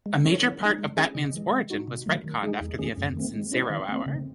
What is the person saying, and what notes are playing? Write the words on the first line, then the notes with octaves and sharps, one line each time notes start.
A major part of Batman's origin was retconned after the events in "Zero Hour".
G#3
C#4 E4 A4 C#5
E3
G#3 D#4
G#3
C#4 G#4 D#5
C#3
E3 G#3
G#3
D#4 F#4
C3
D#3 F#3 A3
D#3
G#3 D#4 G#4
E2
D#3 A3 C#4 G#4
F#2
D#3 A3 C4
G#3
C#4 E4 C5 D#5
D#3
A3 C4
C#3